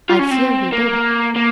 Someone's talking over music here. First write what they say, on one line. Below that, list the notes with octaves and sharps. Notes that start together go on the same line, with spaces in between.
I fear he did.
F4
C#4
C4
A#3
A#3